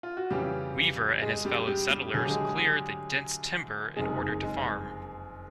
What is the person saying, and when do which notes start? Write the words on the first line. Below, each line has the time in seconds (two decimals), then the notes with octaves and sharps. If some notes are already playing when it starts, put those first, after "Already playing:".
Weaver and his fellow settlers cleared the dense timber in order to farm.
0.03 F4
0.17 F#4
0.30 F2 C#3 E3 G3 G4
1.22 G#3 G#4
1.45 G3 G4
1.67 G3 G4
1.91 G3 G4
2.14 D2 D3 F#3 G#4
2.22 G4
2.30 G#3 G#4
3.96 F#1 F2 C3 D#3 G#3 G#4
4.43 G#3 G#4